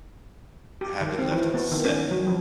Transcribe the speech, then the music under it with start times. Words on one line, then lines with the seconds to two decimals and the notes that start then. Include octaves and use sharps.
have been left unsaid.
0.81 G4
1.01 D#3
1.19 C4
1.32 E3
1.54 B3
1.72 D#3
1.85 C#4
2.11 F#3
2.27 F3